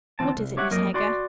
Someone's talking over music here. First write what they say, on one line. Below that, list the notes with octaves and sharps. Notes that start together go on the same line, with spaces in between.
What is it, Miss Heger?
D2 E3 C4 A5
C2
G4 C#5 E5 F#5
F2 F#3 A#3 A#4 D#5
F#4 D5 C6